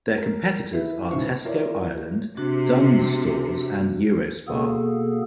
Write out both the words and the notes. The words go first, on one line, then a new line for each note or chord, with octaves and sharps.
Their competitors are Tesco Ireland, Dunnes Stores and Eurospar.
A#4
E4 B4
B1 G#2 C#3 E3 C5 C#6
B4
E4 F4 A#4 C#5 D5
C3 D4 F#4
B2 A#3 B3 G#4 A4